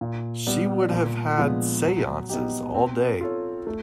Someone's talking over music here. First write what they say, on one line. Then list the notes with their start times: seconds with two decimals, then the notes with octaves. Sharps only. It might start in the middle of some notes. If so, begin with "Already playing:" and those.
She would have had seances all day.
0.01 A#2
0.47 G3 B3
0.91 A#2
1.38 F3 G#3 B3 D4
1.83 F#3
2.29 B3 D#4 G4
2.74 C4
3.21 F4 A4 C#5
3.67 A3